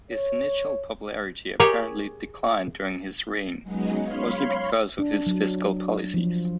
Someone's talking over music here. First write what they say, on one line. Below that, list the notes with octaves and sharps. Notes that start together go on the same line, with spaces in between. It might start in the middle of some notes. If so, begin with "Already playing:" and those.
His initial popularity apparently declined during his reign, mostly because of his fiscal policies.
C#5
G4 G#4 A#4 C#5
F#3 G#3 B3 C#4 D#4
C#5 F5 B5 C6
D4
F#3
F3